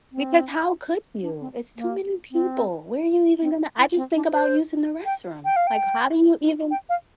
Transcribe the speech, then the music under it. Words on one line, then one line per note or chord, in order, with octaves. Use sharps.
Because how could you? It's too many people. Where are you even gonna I just think about using the restroom, like, how do you even S
C4
D4
C4
A#3
C4
C4
E4
C4
D4
C5
G5
G5
F5
G5
G5
F5